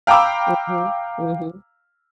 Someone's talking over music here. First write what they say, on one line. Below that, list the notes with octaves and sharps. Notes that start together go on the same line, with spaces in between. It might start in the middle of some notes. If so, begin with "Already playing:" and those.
Mhm, mhm.
F5 G5 A#5 B5 D6 E6